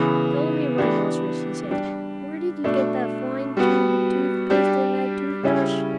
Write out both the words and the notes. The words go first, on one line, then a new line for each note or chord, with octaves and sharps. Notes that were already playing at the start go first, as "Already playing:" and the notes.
"Tell me, Rhinoceros," he said, "where did you get that fine tube of tooth paste and that toothbrush?"
Already playing: C#3 E3 B3
E3 B3 D4 G4
G3 D4 G4
B2 A3 D4
G3 B3 F#4
G3 D4 G4
C#3 G3 C#4 E4